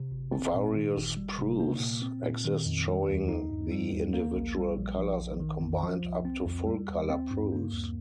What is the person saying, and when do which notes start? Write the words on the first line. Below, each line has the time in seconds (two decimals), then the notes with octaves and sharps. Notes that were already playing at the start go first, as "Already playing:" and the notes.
Various proofs exist showing the individual colours and combined up to full colour proofs.
Already playing: C3
0.11 G1
0.32 C4
0.54 A#2
0.75 D#3
0.96 G1
1.17 G3
1.38 C3
1.60 A#3
1.80 A#2
2.02 C4
2.23 A#2
2.45 D#3
2.66 F2
2.87 G3
3.08 D#2
3.29 D#4
3.50 G2
3.71 G3
3.92 D#2
4.14 A#3
4.35 A#1
4.56 G3
4.77 A#1
4.98 F3
5.19 A#1
5.40 D#3
5.61 F2
5.83 F3
6.04 C2
6.25 C4
6.46 F2
6.67 G3
6.89 D#2
7.10 C4
7.31 G2
7.52 A#3
7.73 D#2